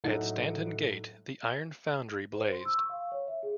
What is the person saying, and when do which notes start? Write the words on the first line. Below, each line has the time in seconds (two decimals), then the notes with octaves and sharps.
At Stanton Gate the iron foundry blazed.
0.04 A2 F#3 A3 D#4 F#5
2.34 C5
2.52 C6
2.65 E6
2.78 C#6
2.89 F5
3.12 C#5
3.28 E5
3.43 G#4